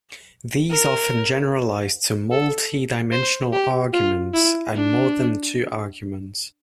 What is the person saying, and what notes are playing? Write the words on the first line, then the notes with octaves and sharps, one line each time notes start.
These often generalize to multi-dimensional arguments, and more than two arguments.
A#4
A4
C5
G4
F4
E4
D4